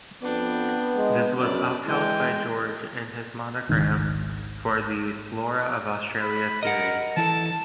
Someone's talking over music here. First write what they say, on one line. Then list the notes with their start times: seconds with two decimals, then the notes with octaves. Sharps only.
This was upheld by George in his monograph for the "Flora of Australia" series.
0.23 F2 B3 D4 G5
0.97 G#3
1.38 F#2 D5 B5
1.85 E3 G#3 G5
3.69 G#1 C#2 D#3
6.21 B5
6.63 A#4 D#5 F#5
7.17 E3 E4 A4 A5